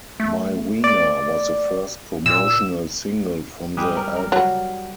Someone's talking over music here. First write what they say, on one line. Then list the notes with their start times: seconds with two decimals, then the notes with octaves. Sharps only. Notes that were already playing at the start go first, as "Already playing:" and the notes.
"My Wena" was the first promotional single from the album.
0.20 A3
0.84 D5
2.26 A#2 E6
3.77 G3 G#3 B4
3.96 A#4
4.16 A#4
4.32 F#3